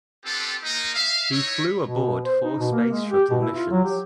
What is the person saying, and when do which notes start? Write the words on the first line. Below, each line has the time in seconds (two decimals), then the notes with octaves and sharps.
He flew aboard four Space Shuttle missions.
0.24 B3 C4 D4 F4 G4 A4
0.64 G#3 A#3 D#4
0.95 E5 F5
1.31 D#4 E4 C#5
1.82 B2
2.25 C5
2.43 D#4
2.58 B2
2.72 A#3
2.91 G#3
3.10 G4
3.31 B2
3.42 E4
3.56 F4
3.71 F#3
3.85 G4